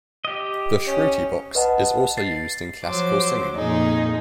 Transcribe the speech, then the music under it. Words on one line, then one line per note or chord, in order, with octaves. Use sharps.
The shruti box is also used in classical singing.
G4 D#5
C#4
B4 D#5 F#5 A5
A6 C7
F3 F#3 C5 D6
F2 A#2 D#4 G#4